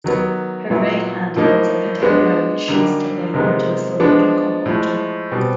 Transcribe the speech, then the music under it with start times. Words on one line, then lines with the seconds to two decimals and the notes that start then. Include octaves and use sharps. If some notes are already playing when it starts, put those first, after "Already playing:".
Her right hand holds a patera which she is tipping onto a cylindrical altar.
0.04 D#3 F#3 B3
0.70 A#2 F#3 B3 E4
1.36 A2 F3 A#3 D#4
2.02 G#3 B3 D4
2.68 F#2 D3 G3 A#3 D#4
3.34 C3 D#3 G#3 B3
4.00 F3 G#3 B3 D4
4.66 A2 F3 G#3
5.31 B2 G3 C4